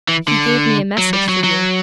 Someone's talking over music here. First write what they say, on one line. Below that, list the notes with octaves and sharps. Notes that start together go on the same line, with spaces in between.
He gave me a message for you.'
E3
D3
F#3
G3
F#3
F#3